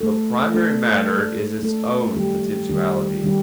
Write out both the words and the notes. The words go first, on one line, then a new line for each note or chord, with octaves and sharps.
But primary matter is its own potentiality.
A3 D4 A4
A3 D4 A4
A3 D4 A4
A3 D4 A4
D#3 G3 D4 G4
D#3 G3 D4 G4
D#3 G3 D4 G4